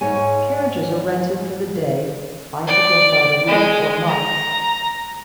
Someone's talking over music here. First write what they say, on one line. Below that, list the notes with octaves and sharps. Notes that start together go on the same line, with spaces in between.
Carriages are rented for the day, bicycles by the week or month.
G#2 C#5 G#5
D5
G#3
A#5